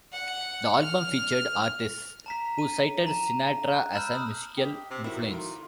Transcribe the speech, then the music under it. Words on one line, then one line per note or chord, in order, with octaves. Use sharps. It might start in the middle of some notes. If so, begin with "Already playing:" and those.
The album featured artists who cited Sinatra as a musical influence.
F#5
F6
A5 A#5 B6
D#7
A5 A#5
F#6
A5 B5 E6 F6 G6
B5 D#6
D#4 G4
C3
D#3 A3 E4 F#4
F4 A#4 D6